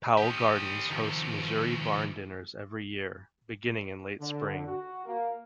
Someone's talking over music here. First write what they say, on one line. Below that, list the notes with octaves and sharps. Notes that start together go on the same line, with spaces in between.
Powell Gardens hosts Missouri Barn Dinners every year, beginning in late spring.
G4 D#5
D#3 F3
D3
F#4
A#3